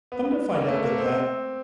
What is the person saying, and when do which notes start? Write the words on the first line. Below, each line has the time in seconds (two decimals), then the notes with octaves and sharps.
Come to find out that that
0.12 B3
0.54 A#3
0.68 A3
0.84 A#3
0.98 C4